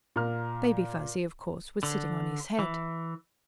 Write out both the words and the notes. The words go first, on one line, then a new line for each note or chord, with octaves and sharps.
Baby Fuzzy, of course, was sitting on his head.
A#2 A#4 A#5 F6
D3
E3